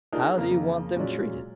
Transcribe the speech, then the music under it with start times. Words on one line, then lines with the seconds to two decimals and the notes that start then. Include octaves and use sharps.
'How do you want them treated?'
0.12 A#3 D4 D#4 F4 G#4 A#4
0.37 F2 C#3 A#3
0.96 A#2 F#3 G#3 C#4 D5